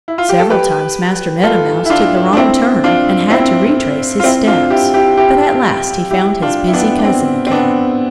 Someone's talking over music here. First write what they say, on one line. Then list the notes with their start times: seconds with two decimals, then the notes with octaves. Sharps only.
Several times Master Meadow Mouse took the wrong turn and had to retrace his steps. But at last he found his busy cousin again.
0.08 E4
0.18 F4
0.29 G4
0.39 A4
0.50 G4 B4
1.43 F4 A4
1.86 E4
1.90 D4 F4
2.33 D4
2.37 C4 E4
2.84 D4 F4
3.30 C4 E4
4.20 F4
4.24 C4 E4
4.47 D4 F4
4.70 E4 G4
4.94 E4 G4
5.17 E4 G4
6.11 E4 G4
6.42 D4 F4
6.67 E4
6.73 B3 D4
6.99 D4
7.04 C4
7.47 C4
7.51 B3 D4